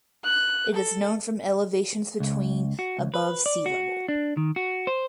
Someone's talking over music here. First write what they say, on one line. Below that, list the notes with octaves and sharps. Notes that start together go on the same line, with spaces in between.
It is known from elevations between above sea level.
F#6
A4
C#2
F#4
C#2
B4
D5
F#4
D4
D#3
F#4
C5